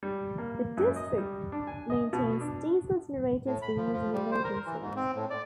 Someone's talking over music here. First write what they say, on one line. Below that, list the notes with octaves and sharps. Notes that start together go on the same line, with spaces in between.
The District maintains diesel generators for use in emergencies.
G3
A#3
F#2
D#5
G3
D4
G#5
D#5
B2
D4
A2
B5
F3
F3
G3
C5
A#4
E3
G#2
C4
A2
D5